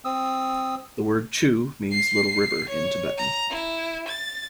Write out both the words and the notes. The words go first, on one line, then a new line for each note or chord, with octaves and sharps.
The word "chu" means "little river" in Tibetan.
C4 D#6 E6
C7
C#5
A#5
E4
A6